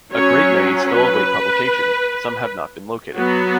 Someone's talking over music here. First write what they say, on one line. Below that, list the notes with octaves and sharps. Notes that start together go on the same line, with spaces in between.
A great many still await publication; some have not yet been located.
F#3 C#4 C#5
B4
F#3 B3 F#4